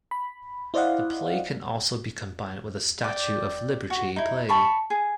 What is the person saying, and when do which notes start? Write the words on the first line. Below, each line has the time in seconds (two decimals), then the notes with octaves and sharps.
The play can also be combined with a Statue of Liberty play.
0.11 B5
0.74 E4 C5 D5 D#5 F5 F#5
3.04 D5 G5
3.90 F#4
4.16 D#4 E4
4.49 A5 B5 C#6
4.90 G#4